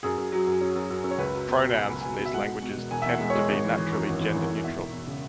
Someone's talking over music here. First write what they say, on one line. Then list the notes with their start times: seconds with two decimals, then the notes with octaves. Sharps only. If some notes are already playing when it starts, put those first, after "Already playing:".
Pronouns in these languages tend to be naturally gender-neutral.
0.03 F#2 G#4
0.18 F#2
0.32 F#3
0.47 F#2
0.61 C#4
0.76 F#2
0.90 F#2
1.04 F#2
1.11 C#5
1.18 C#2 B4
1.33 F#3
1.48 B2
1.62 B2
1.76 F#3 G#5
1.89 C#2 B5
2.01 F#3 G#5
2.20 B2
2.25 E5
2.34 G#3 F#5
2.48 G#3
2.62 B2
2.77 E1
2.91 E1 G#5
3.02 E5
3.06 E2 F#5
3.20 G#3
3.30 C#5
3.35 G#3
3.49 G#1
3.64 E3
3.78 E3
3.92 F#2
4.06 G#1
4.21 E3
4.36 G#1
4.49 G#1
4.64 E2 E5
4.78 E1
4.93 E2
5.07 C#3